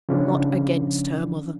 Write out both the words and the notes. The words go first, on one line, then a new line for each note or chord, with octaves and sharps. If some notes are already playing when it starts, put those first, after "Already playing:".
'Not against her, mother!
C#3 F3 C#4 D4